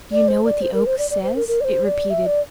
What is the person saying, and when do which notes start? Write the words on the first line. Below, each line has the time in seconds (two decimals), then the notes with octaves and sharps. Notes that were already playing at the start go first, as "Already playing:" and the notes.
"Do you know what the oak says?" it repeated.
0.12 D5
0.28 C5
0.45 D5
0.62 C5
0.74 A#4
0.86 C5
0.99 D5
1.11 D5
1.23 C5
1.36 A#4
1.48 A#4
1.61 D5
1.64 C5
1.85 D5
2.10 E5
2.26 D5